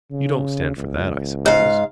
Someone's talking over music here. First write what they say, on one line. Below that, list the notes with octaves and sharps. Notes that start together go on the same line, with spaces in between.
You don't stand for that, I suppose?
C#3
C#2
G#2 F5